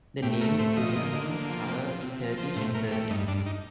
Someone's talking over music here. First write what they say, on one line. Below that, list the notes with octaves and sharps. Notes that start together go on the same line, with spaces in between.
The name "Kula" means "tower" in Turkish and Serbian.
A2 G4
A3 A#4
A2 C5
F3 D#5
A#3
D3
A#3
F3
C3
F3
C3
F3
F3 C5
A2 C5
A2 A#4
A3 G4
G2 D#4
G2 D4
D#4